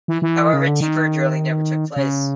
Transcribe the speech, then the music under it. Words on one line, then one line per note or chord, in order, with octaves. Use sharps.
However, deeper drilling never took place.
E3
E3
C#3
D3
D#3
C#3